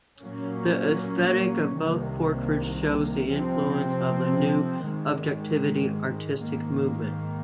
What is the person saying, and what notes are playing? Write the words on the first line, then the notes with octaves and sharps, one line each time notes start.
The esthetic of both portraits shows the influence of the New Objectivity artistic movement.
A#2 F#3 A#3 C#4
C2 C3 D#3 A#3
C3 F3 C4
G#2 D#3 G#3
G#2 D#3 A#3